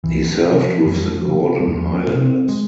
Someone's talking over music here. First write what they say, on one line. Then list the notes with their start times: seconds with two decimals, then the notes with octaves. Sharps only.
He served with the Gordon Highlanders.
0.04 C#2 E3
0.32 F3
0.45 C3
0.58 F3
0.86 F2 F3
0.96 G3
1.08 F3
1.27 C#3
1.60 G3
1.67 E2 F3
1.94 C#4
2.08 C3
2.21 C4
2.49 G#3